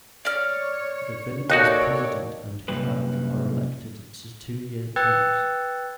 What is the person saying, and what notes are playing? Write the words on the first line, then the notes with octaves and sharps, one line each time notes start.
The village's president and clerk are elected to two-year terms.
C#5 D5 F6
D#2 D#4 F#4 A4 C#5 D5 F#6
F#2 C3 G3 A#3 B4
B4 G5 E6 F#6 G#6 A6